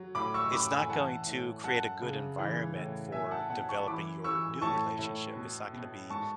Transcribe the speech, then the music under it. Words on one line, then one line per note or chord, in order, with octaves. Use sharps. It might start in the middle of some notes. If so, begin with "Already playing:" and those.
it's not going to create a good environment for developing your new relationship. It's not gonna be
Already playing: F#3
A2 B5 D6
C#6 E6
A2 B5 D6
G#5 B5
E3 F#5 A5
A2
F#2 F#5 A5
C#3
E3
A2
B2 E5 G#5
F#5 A5
B2 F#5 A5
A5 C#6
E3 B5 D6
E3 C#6 E6
A2 A5 C#6
A2
B2
B2
G#2 A5 C#6